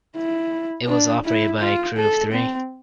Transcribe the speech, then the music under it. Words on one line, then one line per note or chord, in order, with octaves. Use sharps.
It was operated by a crew of three.
E4
D4
E4
F4
A4
C4